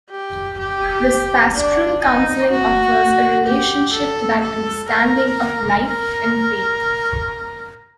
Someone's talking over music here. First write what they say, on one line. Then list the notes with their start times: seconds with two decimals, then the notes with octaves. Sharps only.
Thus pastoral counseling offers a relationship to that understanding of life and faith.
0.10 G4
0.59 G4
1.54 D4
2.03 D#4
2.51 F#4
3.46 G4
3.93 A4
4.41 A4
4.89 A#4
5.86 A#4